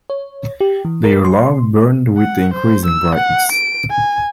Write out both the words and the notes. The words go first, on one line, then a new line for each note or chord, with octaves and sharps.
Their love burned with increasing brightness.
C#5
G4
E3
A#4
C6
F#5
C5
E6
F#5
D7
G#5